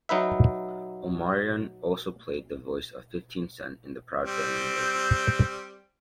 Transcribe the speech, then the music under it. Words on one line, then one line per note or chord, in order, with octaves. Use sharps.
Omarion also played the voice of Fifteen Cent in The Proud Family Movie.
F#3 D#4 B4 E5
G3 C4